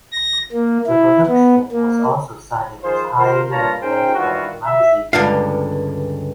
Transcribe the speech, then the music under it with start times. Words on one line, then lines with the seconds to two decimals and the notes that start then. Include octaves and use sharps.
The production was also cited as Highly Recommended by the magazine.
0.12 A#6
0.52 A#3
0.87 E4
1.27 B3
1.71 A#3
2.82 D#3 F3 F4 G#4 C5
3.17 F4 A#4 C5
3.51 G2 A#2 F4 C#5 A5 A#5
3.81 C#4 D#4 G#4 A#4 C5 G5
4.15 G2 D#3 E3 F4 F#4
4.64 E5
5.13 C#2 G2 D3 F5